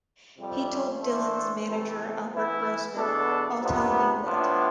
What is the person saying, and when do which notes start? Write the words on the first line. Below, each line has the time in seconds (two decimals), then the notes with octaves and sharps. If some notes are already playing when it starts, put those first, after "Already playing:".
He told Dylan's manager, Albert Grossman, I'll tell you what.
0.37 F2 C3 G3
1.02 E3 A3 D4 A4 C5
1.66 C3 E3 A3 E4 A4
2.31 E3 B3 E4
2.95 E2 B2 B3 D4 A4
3.60 C3 F3 B3 D4
4.25 A2 F3 B3 D4